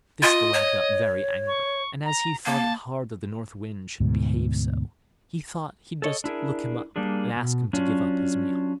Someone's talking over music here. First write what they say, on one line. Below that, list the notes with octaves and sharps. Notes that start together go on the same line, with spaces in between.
At this the lad got very angry; and as he thought it hard that the North Wind should behave so, he thought he'd just look him up, and ask him to give up his meal.
F4 D#5
C#5
C#6
A#5
A#3 A5
D2 G#2 B2
A4 C#5 D#5
D4 E4 G#4 A#4
G3 A#3 D4 G#4
B2
F#3 C#4 D4 F4